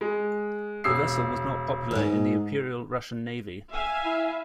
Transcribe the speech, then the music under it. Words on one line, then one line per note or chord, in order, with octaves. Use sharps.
The vessel was not popular in the Imperial Russian Navy.
G#3
E1 E6 C7
E2 G#2
E5 F5 G#5
E4